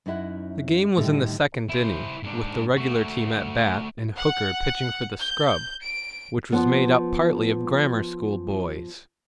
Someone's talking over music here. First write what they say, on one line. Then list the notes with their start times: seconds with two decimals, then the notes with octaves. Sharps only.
The game was in the second inning, with the regular team at bat and Hooker pitching for the scrub, which was made up partly of grammar school boys.
0.06 F#2 C#4 D#4 E4 A#4 F#5
0.97 A2 D3 D#3 G3
1.69 E4 C5
2.23 G#2 D4
2.77 A3 F#4
4.16 F#5
5.19 G6
5.81 D7
6.52 F3 B3